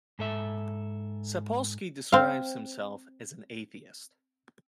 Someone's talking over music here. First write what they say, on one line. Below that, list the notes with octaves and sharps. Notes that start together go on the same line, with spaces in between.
Sapolsky describes himself as an atheist.
G#2 A4 E5
C4 F5